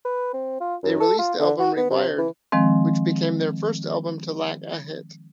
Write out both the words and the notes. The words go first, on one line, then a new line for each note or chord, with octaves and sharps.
They released the album "Rewired", which became their first album to lack a hit.
B4
C4
F4
F#2
A4
F4
D3
F#4
B3
C3
E3
D#3 F3 G#3 C4